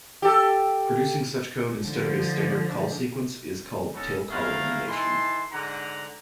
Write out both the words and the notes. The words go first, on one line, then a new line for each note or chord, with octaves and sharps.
Producing such code instead of a standard call sequence is called tail call elimination.
G4 A4
D3 F3
B3 C#4 D#4 A4
A3 B3 G#4 A#4 F5
E3 D#4 A4 C6
G#2 D3 F#5 A#5